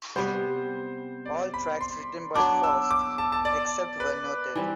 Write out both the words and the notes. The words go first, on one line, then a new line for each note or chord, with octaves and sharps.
All tracks written by Faust, except where noted.
C3 G3 B3 C5
D5
B5
C6
F#3 B3 D4 D6
E6
D6
A5
A5
D5
B4
E3 G3 C4